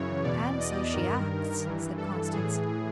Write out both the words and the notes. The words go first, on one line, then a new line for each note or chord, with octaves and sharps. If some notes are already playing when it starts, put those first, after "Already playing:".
"And so she acts," said Constance.
Already playing: F#2 C#3 E3 C#5
E2 B2 D5
D#5
G2 D#3 A#4
G2 E3
A4
A2 E3 G#4